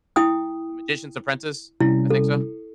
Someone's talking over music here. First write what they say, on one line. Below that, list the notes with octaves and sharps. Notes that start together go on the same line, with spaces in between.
The Magician's Apprentice? I think so.
E4 G5 D#6
C3 G3 C#4 E4
A4